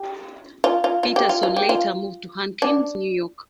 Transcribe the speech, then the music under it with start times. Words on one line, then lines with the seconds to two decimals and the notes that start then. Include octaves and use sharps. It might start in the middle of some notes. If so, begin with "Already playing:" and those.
Peterson later moved to Hankins, New York.
Already playing: G4
0.64 F4
0.84 F4
1.03 F4
1.16 G4
1.29 F4
1.43 F4
1.56 G4
1.69 F4
2.62 D4